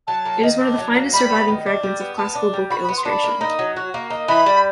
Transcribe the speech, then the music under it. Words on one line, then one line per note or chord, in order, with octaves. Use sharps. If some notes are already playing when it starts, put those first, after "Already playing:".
It is one of the finest surviving fragments of classical book illustration.
F#3 A5
A#3
D#3
D4
F#3
A#3
G3 B5
B3
D#3
D4
G3
B3
B3 A5
D4
G3
F#4 B5
B5
B3
C6
D4 B5
A#3
D#4
F#3
F#4
A#3
D#4
E3 B5
G3